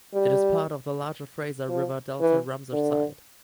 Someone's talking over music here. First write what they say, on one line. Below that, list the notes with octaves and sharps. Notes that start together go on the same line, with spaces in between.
It is part of the larger Fraser River Delta Ramsar Site.
G3
F3
E3
D3